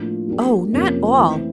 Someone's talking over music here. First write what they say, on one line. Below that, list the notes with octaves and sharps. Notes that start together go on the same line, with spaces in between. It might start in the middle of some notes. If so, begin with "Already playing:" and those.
'Oh, not all!
Already playing: A2 F3 A#3 D4 F4
F#3 A#3 D4 G4
F2 C3 F3 A#3 C#4
E3 A3 C4